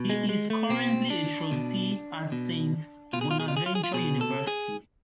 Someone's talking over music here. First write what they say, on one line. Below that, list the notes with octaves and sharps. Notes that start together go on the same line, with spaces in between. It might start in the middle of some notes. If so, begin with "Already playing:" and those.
He is currently a Trustee at Saint Bonaventure University.
Already playing: B2
G#3
G#3
A3
B2 C4
D4
B2
B2
B2 F4
G#4
F4
G#4
F4
G#4
F4
G#4
F4
B2 G#4
A4
G#4